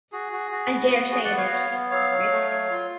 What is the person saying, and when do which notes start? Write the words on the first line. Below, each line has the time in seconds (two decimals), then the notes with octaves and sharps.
I dare say it is, Rick.
0.12 F#4 G#4
0.33 F#4
0.51 F#4
0.72 B3
0.91 F#4
1.11 F#4 G#4
1.24 D5 F#5
1.32 B3
1.37 C#5 F5
1.51 B3
1.71 B3
1.90 F#3 C#5 F5
2.10 F#3
2.31 A3
2.50 F#3
2.71 F4